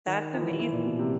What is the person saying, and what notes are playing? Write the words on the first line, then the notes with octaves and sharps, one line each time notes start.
That's amazing.
D#3
F3
E3
F3
E3
A#2
B2
C3